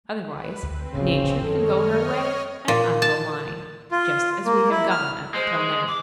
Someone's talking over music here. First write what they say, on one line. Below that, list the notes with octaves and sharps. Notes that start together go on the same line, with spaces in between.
Otherwise, Nature can go her way and I go mine, just as we have gone up till now.
B4
D2 C4
D1 A#1 C#3 F3
F#2 D#3 F3 A4 C#5 D#5 F6
A#2
A5
F4
A#3
E4
F6
G#3 C5
D6